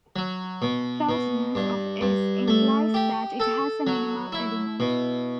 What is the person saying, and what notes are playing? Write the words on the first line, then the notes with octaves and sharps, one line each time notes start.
Closedness of "S" implies that it has a minimal element.
F#3
B2
B2
G2
G2
A3
G4
A4
F#3
E4
B2